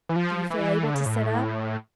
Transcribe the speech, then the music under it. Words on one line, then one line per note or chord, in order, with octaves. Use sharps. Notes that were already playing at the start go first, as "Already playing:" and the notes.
Do you feel able to sit up?'
E3
F3
E3
D3
C#3
A2